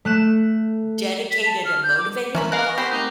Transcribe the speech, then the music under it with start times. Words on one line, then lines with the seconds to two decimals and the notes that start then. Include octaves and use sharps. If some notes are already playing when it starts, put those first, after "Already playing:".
dedicated and motivated you are
0.05 A3 F#6 E7
1.31 B6
1.46 A5
1.65 F6
1.83 G6
1.98 D6
2.35 E3 C#4 A#4 B5
2.52 G#3 A#4 F5 F#6
2.66 G#5 C#6 A#6
2.78 G4 A#4 C5 F#5 B5 F#6
2.92 A3 C4 D#4 D6